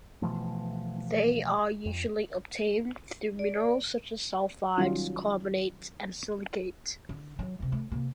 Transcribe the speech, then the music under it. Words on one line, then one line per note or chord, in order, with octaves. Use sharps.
They are usually obtained through minerals such as sulfides, carbonates, and silicates.
B2 E3 F3 A3
F2
D5
D#3 F#3 G3 C#4 D#4 F4
D3
F#3
G2 C3
A3
C3 A#3